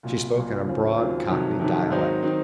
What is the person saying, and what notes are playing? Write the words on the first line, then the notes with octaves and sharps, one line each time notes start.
She spoke in a broad Cockney dialect.
C2 A#2 F#3
C2 A#2 F#3
D#2 C#3 F#3 C4 F4
D#2 C#3 F#3 C4 F4
F2 C3 D#3 F#3
F2 C3 D#3 F#3
G#2 D#3 F#3 C4 D#4
D#3 F#3 C4 D#4